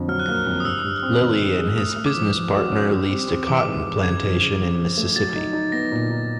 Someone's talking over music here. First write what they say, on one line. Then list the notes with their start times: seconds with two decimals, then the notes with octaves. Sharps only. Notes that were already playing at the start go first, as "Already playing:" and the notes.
Lilly and his business partner leased a cotton plantation in Mississippi.
Already playing: F2 D3
0.08 F#3 F6
0.19 F#6
0.28 A#3 F6
0.47 F2
0.60 D#6
0.64 G2 E6
0.84 G2
1.03 C4
1.21 D#3
1.40 C4
1.59 G#3
1.78 A3 D#6
1.96 A3
2.06 D6
2.15 F3
2.34 F3
2.53 F#4
2.72 C#4
2.91 G3
3.09 C4
3.28 C4
3.47 E3 D6
3.65 G#2
3.84 E3
4.03 C#3 G#6
4.23 F3
4.41 C#3
4.59 F3
4.78 F3
4.98 A3
5.16 F#3 A6
5.35 D#4
5.53 D#4
5.72 B3 A#6
5.91 A#2
6.10 D#4